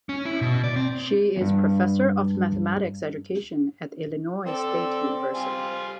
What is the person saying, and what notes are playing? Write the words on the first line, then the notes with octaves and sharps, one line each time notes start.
She is professor of mathematics education at Illinois State University.
C#4
E4
B2
D5
C4
E2 G2
C4 A4 D5 E6
G3 F4 G#5